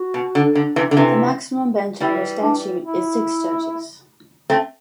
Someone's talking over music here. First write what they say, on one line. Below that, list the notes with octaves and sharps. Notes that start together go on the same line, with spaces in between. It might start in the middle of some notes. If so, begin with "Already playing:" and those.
The maximum bench under statute is six judges.
Already playing: F#4
B2
D3
D3
C3 E3
D3
C3 E3
E3 G3 E4
D4
E4
A3 C4